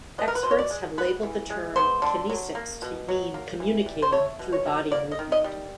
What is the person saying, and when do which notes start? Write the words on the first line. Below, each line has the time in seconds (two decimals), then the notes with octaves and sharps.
Experts have labeled the term kinesics to mean communicating through body movement.
0.18 B3 D#5
0.28 A#4
0.35 B4
0.43 B2 C5
0.51 C#5
0.59 D5
0.71 G#3
0.98 B3 B4
1.23 E3
1.50 G#3
1.76 B3 C5
2.02 D3
2.29 F#3
2.55 A#3
2.82 B2
3.08 F#3
3.34 A#3
3.60 E3
3.86 G3
4.02 C5
4.12 A3 C#5
4.39 B2
4.53 C#5
4.65 F#3
4.92 A#3 D5
5.11 D#5
5.19 D#3
5.32 D#5
5.44 G3